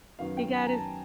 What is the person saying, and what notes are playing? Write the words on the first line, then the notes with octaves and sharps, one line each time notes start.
he got his
F#2 D#3 F#3 B3 F5
G5
G#5
A#5
A5